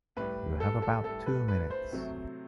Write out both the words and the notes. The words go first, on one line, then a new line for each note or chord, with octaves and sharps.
You have about two minutes.
A2 G3 B4
A4
A4
A2 G3 A4
B4
B4
C5
C3 F#3 A3